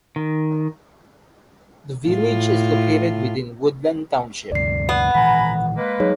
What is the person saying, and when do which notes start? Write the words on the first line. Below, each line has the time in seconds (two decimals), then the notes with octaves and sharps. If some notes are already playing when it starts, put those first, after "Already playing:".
The village is located within Woodland Township.
0.16 D#3
2.09 A2 F4
4.52 D2 G2 C3 D5 C7
4.89 B3
5.15 A#2 D#3 E3 F#5 G#5 A#5 B5
5.77 G#3 A#3 B4
6.00 F#3 G3 D#4 G#4 C#5